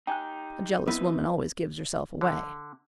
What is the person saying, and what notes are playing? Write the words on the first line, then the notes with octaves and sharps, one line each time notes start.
A jealous woman always gives herself away.
D#4 G4 G5 G#5 F#6
B3 C4 E4 B4 D#5 E5
D3